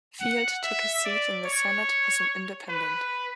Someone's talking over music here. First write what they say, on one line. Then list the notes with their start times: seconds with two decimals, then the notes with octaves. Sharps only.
Field took his seat in the Senate as an independent.
0.21 F#5
0.63 E5
1.05 D5
1.45 C#5
2.69 B4